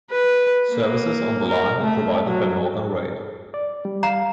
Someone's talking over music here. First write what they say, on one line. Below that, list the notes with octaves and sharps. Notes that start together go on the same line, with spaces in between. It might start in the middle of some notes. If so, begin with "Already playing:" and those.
Services on the line are provided by Northern Rail.
B4
A#3
A#4
A3
F#3
D5
G3
F5 A#5